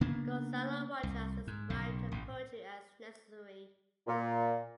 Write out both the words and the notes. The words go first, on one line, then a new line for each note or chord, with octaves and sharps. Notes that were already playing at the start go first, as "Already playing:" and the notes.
Gonzalo Rojas described her poetry as "necessary".
C#3 A#3 B3 D4
C2
G#2
B1 C#3
A1 A2
A#2